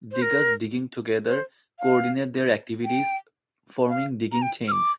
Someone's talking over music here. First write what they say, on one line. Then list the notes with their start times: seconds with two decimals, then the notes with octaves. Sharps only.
Degus digging together coordinate their activities, forming digging chains.
0.12 C5
0.22 A#4
1.27 C5
1.79 F5
2.85 G5
3.89 F5
4.32 A#5
4.42 G5
4.68 F6
4.72 D6